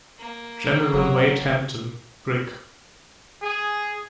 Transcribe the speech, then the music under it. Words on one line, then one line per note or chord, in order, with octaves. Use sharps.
General Wade Hampton, Brig.
A#3
G1 F#3
G#4